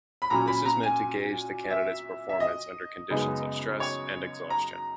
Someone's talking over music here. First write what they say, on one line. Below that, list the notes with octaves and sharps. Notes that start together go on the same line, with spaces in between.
This is meant to gauge the candidate's performance under conditions of stress and exhaustion.
B5
A#2 F#3 C#4 A#5
B5
A#5
G#5
E5
E5
D#5
F#2 C#3 G#3 B3 D#4
C#5
A#5